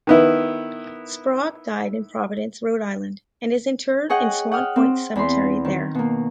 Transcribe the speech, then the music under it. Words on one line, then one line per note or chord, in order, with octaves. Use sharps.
Sprague died in Providence, Rhode Island, and is interred in Swan Point Cemetery there.
D#3 B3 E4
G#4 C#5 D#5 F#5 G5
F#5 G5 D#6 F6
C4
E2 B5 C6
D#3
B2 A#3